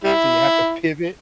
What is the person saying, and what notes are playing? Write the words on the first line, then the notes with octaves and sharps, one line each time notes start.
So you have to pivot?
G3 E4